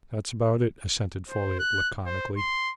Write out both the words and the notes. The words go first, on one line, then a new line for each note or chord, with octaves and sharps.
"That's about it," assented Folliot laconically.
C5
F#6
C5
C6